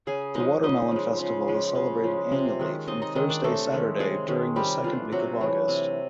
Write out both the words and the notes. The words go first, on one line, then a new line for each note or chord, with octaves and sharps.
The Watermelon Festival is celebrated annually from Thursday-Saturday during the second week of August.
C#3 G#4 G#5
F3 G#3 D#4 D#5
C#3 D#4 D#5
F3 G#3
C#3
F3 G#3
C#3
F3 G#3
C3
D#3 G#3 C#4
C3 D#4 D#5
D#4 D#5
D#3 G#3 C#4 D#4 D#5
D4 D5
C3 A3 A4
D#3 G#3 C#4
C3 G#3 G#4
D#3 G#3 C#4
C3 G3 G4
E3 A3 D4 F4
C3 F#3 F#4
E3 A3 D4
C3